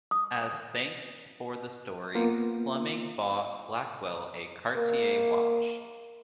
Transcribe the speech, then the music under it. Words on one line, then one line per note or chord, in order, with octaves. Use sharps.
As thanks for the story, Fleming bought Blackwell a Cartier watch.
D#6
A#3 B3 F4
A#3